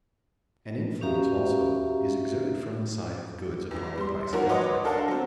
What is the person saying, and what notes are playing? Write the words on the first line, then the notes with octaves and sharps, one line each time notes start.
An influence also is exerted from the side of goods upon the price of labor.
C#4 F#4 G4 E5 F5 A#5
E2
G3 C6
D#3 F3 A#3 F#4 A#4 C#5
B4 C#5 D#5 F#5 C6 D6
D4 A4 A#4 F5 F#5 A5
F#3 C4